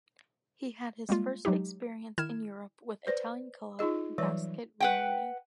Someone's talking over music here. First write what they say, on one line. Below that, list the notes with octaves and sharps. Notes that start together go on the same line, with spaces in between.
He had his first experience in Europe with Italian club Basket Rimini.
G3 G#3 A#3 F4
F#3 G#3 D#4 G4
D#3 E4 F6 G#6 E7
B4 C5 D5
D#4 F4 G#4 D#5
E3 F#3 G3 B4 C#5 D5
B4 F#5 G5